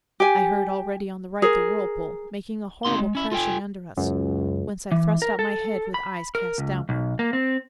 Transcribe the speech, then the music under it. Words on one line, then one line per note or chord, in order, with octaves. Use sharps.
I heard already on the right the whirlpool Making a horrible crashing under us; Whence I thrust out my head with eyes cast downward.
G4 G#5
G#4 A#4
D2 C4 D#4 F#4 C6
G#3
C#4 E4
F4 A4 G5 G#5
C#2 F#2
E3
A#4
A4
B5
A#4
C#2
B1
A#3
C4